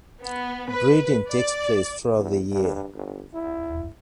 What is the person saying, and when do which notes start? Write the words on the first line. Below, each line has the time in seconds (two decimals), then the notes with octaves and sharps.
Breeding takes place throughout the year.
0.25 B3
0.71 B4
1.30 D5
2.17 E2
2.51 G2
2.94 G1
3.34 E4